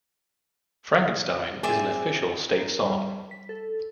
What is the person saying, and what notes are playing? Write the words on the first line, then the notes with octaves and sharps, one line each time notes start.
Frankenstein, is an official state song.
C4 G#4 D5 E5
A#4
G3
B6
A4